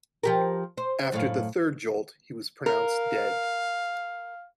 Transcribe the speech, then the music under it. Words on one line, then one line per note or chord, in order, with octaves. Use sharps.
After the third jolt, he was pronounced dead.
F3 G4 A#4
C5
F#2 A2 F5
A#4 F5